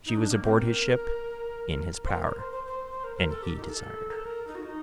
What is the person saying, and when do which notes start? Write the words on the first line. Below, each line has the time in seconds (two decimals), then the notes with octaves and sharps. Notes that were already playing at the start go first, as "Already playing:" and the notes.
She was aboard his ship, in his power, and he desired her.
0.06 D#4
0.17 D4
0.31 A#3
0.43 C4
0.56 A#4
2.04 C5
2.12 A#4
2.26 A#4
2.38 C5
2.52 C5
2.67 C5
2.91 C5
3.04 A#4
3.17 A#4
3.30 A4
3.43 G4
3.56 D#4
3.63 A#4
3.69 A4
4.09 A#4
4.16 A4
4.25 A#4
4.47 D#4
4.55 F#4
4.63 D#4